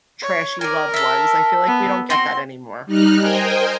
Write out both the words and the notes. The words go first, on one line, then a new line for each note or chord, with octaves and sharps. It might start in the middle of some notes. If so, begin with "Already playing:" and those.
trashy love ones, I feel like we don't get that anymore.
C#5
A#4 D5 G#5
A4 E5
B3
C4 F#4 C6
G3 D#4 F6 F#6
A#4 C5 D#5 G5 G#5